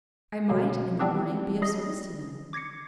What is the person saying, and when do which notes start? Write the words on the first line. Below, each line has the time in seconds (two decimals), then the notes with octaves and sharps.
I might, in the morning, be of service to them.
0.49 B2 D3 F#3 A#3
0.99 G3 B3 C4 D4 G4
1.62 G3 G#4 D#5
2.53 D6 G#6 A#6 C7 C#7